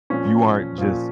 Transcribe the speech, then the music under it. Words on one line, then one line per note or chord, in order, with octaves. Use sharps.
you aren't just,
A#2 F3 C#4
A#2 F3